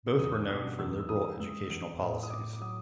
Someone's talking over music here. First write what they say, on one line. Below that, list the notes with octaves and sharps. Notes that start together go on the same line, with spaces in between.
Both were known for liberal educational policies.
E6
E2 D#6
B2 D#6
E2 E6
E6
E2 D#6
G#3 E6
E2 D#6
A2
D#6
A2 D6
D6
F#3 D#6